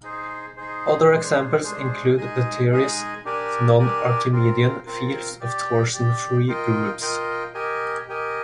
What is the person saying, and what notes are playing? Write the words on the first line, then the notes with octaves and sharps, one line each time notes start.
Other examples include the theories of non-archimedean fields and torsion-free groups.
D#4 G#4 C5
D#4 G#4 C5
G#3 D4 G#4 C5
G#3 D4 G#4 C5
G#3 D#4 G#4 D#5 G#5
G#3 D#4 G#4 D#5 G#5
D4 G4 A#4 D5 G#5
D4 G4 A#4 D5 G#5
C4 F4 A#4
C4 F4 A#4
G4 D5 G5
G4 D5 G5
F4 A#4 D#5 G5
F4 A#4 D#5 G5
G4 A#4 D#5 G#5
G4 A#4 D#5 G#5